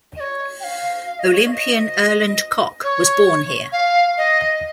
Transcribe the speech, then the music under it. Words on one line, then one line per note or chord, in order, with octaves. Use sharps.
Olympian Erland Koch was born here.
D#5
C#5
G5
F5
F5
D#5
C#5
F5
D#5
C#5
F5
D#5